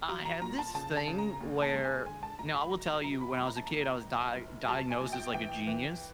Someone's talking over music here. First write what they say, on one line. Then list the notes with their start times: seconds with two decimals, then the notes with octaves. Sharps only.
I have this thing where now I will tell you when I was a kid, I was di diagnosed as like a genius.
0.09 F#3 A#5
0.25 A#5
0.42 A#2 A#5
0.59 A5
0.74 C#3 A5
0.97 A5
1.08 C#3
1.18 A#5
1.40 D#2
1.62 A5
1.73 G#3
1.84 G#5
2.06 D3 G#5
2.23 A5
2.39 G#1 A#5
2.55 B5
2.71 F#3 A#5
2.88 A#5
3.04 G1 A#5
3.21 B5
3.37 A#1 B5
3.47 A#5
3.57 A5
3.66 A#1 A#5
4.03 G1
4.35 G1
4.68 F#3 A5
4.91 G#5
5.01 A#1
5.13 G5
5.34 E3 G5
5.67 E3